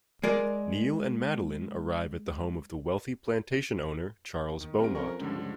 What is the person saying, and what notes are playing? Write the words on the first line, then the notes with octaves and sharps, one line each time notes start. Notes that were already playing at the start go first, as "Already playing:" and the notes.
Neil and Madeleine arrive at the home of the wealthy plantation owner, Charles Beaumont.
G#3 A#4 D5
D#3
C2 A#4 D7
F2 C#4 A#4 C#6
C#2 G2 D3 F3
C#2